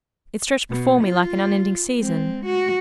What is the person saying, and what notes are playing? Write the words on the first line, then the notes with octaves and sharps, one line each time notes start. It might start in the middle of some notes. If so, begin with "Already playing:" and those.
It stretched before me like an unending season.
B2
F4
G#3 C4
F#4